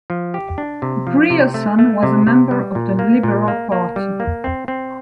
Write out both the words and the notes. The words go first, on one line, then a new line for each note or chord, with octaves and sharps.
Grierson was a member of the Liberal Party.
F3
G4
D4
C3
F3
C3
A3
A3
C3
C3
G3
A#2
A#3
A#2
A#3
A#3
G3
A#3
C4
C4